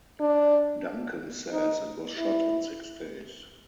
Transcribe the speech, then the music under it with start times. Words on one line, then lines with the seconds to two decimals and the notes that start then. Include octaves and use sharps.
Duncan says it was shot in six days.
0.20 D4
1.52 D#4
2.18 E4